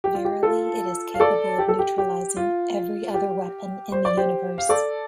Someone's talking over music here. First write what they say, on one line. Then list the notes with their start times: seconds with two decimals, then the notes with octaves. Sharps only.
Verily, it is capable of neutralizing every other weapon in the universe.
0.04 G4
0.15 F4
0.25 G4
0.43 F4 A4
1.14 F5
1.20 A4 D5
1.59 G4
1.68 A4
1.79 G4
1.98 G4
2.37 F4
3.14 G4
3.92 C5
4.05 D5
4.17 G4 C5
4.58 F5
4.69 A4 D5